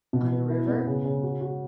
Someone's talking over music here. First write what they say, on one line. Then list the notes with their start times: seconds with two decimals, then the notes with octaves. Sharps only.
"On the river?"
0.13 B2
0.32 B4
0.50 E4
0.68 B3
0.87 C#3
1.05 C#3
1.23 F#4
1.41 F#4